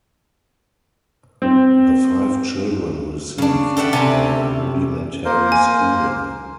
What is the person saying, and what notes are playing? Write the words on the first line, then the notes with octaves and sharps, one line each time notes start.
The five children received a rudimentary schooling.
C4
C#3 D4
G4 A4 D5 E5 F#5
C3 C#4 E4
A#3 A#4 C5
G#5